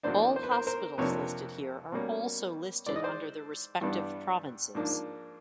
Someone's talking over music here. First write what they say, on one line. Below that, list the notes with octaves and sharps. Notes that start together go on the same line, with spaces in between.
All hospitals listed here are also listed under their respective provinces.
E2 B2 F#3 A#3 D4 C5 D5
C5
B4
A#4 C5
A#4 C5
F2 C3 F3 A#3 D4 B4 C#5
B2 G3 A#3 C#4
G#2 E3 G#3 D5
D#5
C5 D5
G2 E3 G3 B3 D4
G#2 F3 A#3 D4